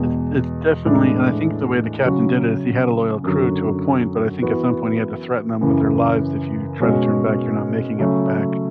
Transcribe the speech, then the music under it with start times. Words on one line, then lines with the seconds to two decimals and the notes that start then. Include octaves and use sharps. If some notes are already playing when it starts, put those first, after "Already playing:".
it's it's definitely and I think the way the captain did it, is he had a loyal crew to a point, but I think at some point he had to threaten 'em with their lives. "If you try to turn back, you're not making it back."
Already playing: E2 B2 G#3
0.85 A2 E3 G#3 D4
2.05 C#3 F#3 C#4 F#4
3.23 F#2 D3 F#3
4.42 E3 B3 F#4
5.61 F#2 C#3 E3
6.80 B2 G#3 C#4 F#4
7.99 C#3 F#3 A3 C#4